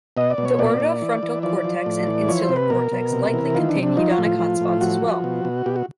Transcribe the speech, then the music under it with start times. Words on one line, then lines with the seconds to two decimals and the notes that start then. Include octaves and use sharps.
The orbitofrontal cortex and insular cortex likely contain hedonic hotspots as well.
0.17 B2 D#5
0.30 D5
0.38 B2
0.45 C#5
0.59 A#2 D5
0.80 A#2
1.02 E3
1.23 E3
1.43 F3 D5
1.64 F3
1.86 A2
2.07 E3
2.28 F3 C#5
2.42 C5
2.49 C3
2.56 B4
2.70 B2 A#4
2.92 B2
3.12 C3
3.34 E3
3.55 D#3 F4
3.69 D4
3.76 C3
3.83 D4
3.97 F3 D#4
4.11 F4
4.18 A2
4.25 F4
4.39 F3
4.61 A2
4.81 F3 F#4
5.02 F3
5.24 B2
5.45 B2
5.66 B2 G4
5.76 F#4